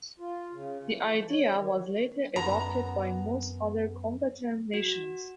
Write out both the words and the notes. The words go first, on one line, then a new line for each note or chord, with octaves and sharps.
The idea was later adopted by most other combatant nations.
F4
C#3
E3
E3
C#5
D#3
F#2 B3 A#5 C6
F#4